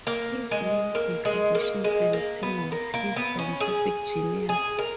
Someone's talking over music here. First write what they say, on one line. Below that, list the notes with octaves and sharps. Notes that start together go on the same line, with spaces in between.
His main contribution to the team was his scientific genius.
A#3
G#3
A#3
G#3
A#3
G#3
A#3
B3
A#3
A#3
B3
C#4
G#4
G#4
A#4